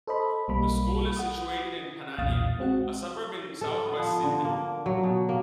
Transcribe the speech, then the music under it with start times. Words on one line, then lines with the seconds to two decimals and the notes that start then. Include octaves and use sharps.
The school is situated in Panania, a suburb in south west Sydney.
0.07 A4 C5 D#5 B5
0.48 B1 G3 A#3 B5
1.17 F#5 D#6
2.18 B1 E2 A#2 F5 D#6 A6
2.59 G#3 C4 F#4 F#5
3.61 A4
3.85 B3
3.99 F3
4.23 D3
4.44 A#3
4.86 F#3
5.03 B2
5.29 A#3